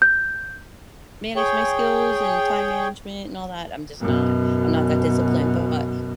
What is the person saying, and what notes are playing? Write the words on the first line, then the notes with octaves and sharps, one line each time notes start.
manage my skills and time management and all that I'm just not I'm not that disciplined, but
G6
G#4 C#5 G5
F#2 B2